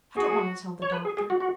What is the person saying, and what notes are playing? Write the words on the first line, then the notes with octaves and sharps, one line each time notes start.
I don't want to tell the Doctor.
F#4 G#4
C#5
B4
G#4
G#4
F#4
F#4